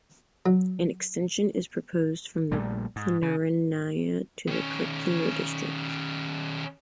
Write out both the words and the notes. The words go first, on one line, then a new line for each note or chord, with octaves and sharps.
An extension is proposed from the Planernaya to the Kurkino district.
F#3
A#1 A#2 G3 A3
G#2
C#3
D#3 C#4